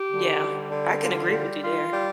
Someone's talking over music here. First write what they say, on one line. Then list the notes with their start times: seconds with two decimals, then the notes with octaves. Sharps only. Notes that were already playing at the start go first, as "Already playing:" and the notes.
Yeah, I can agree with you there.
Already playing: G4
0.11 D3
0.42 G3
0.71 D3
1.01 F4
1.32 G3
1.62 F4
1.93 G3